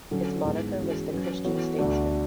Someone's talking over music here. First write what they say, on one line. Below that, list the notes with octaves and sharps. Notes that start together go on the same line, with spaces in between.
His moniker was the Christian Statesman.
D3 F#3 C#4
G#2 G#3 B3 E4
E3 G#3 C#4 F#4
F#3 C#4 F#4 B4
E3 B3 F#4 A4 C#5
D2 D3 A3 D4 F#4